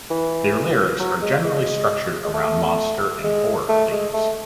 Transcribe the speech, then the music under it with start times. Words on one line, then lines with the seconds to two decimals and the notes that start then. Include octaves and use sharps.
Their lyrics are generally structured around monster and horror themes.
0.10 E3
1.00 F#3
1.22 G#3
1.45 G#3
2.25 G#3
2.34 A3
3.24 G#3
3.69 A3
3.92 G#3
4.13 A3